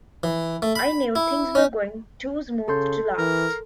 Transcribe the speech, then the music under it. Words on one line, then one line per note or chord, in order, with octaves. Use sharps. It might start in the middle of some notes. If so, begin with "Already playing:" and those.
I knew things were going too smooth to last.
E3
A3
B5
E4
C#4
C#3 A4 C6 G6
E3 A#4